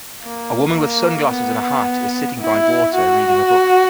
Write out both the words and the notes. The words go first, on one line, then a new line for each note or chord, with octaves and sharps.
A woman with sunglasses and a hat is sitting by water reading a book.
A#3
A#3
B3
E4
F#4